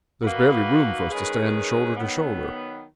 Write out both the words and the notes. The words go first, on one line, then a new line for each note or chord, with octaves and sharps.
There was barely room for us to stand, shoulder to shoulder.
D#3 A#3 D#4 F#4 B4
D#3 G#3 C#4 G#4 B4
D#3 F#3 B3